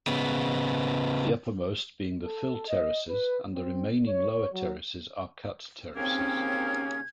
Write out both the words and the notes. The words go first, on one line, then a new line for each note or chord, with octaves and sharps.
The uppermost being the fill terraces and the remaining lower terraces are cut terraces.
C#3 B3
A4
D#5
B4
C4
C#5
F#3
D#2 C#3 A#3 C4 C#4 G#6